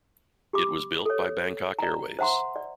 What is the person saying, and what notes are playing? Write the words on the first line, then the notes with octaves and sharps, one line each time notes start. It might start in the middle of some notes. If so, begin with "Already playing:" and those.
It was built by Bangkok Airways.
G4 B5 D6
A4 C#5
D5 A#5
C5 E5 F#5 A#5 C6
D5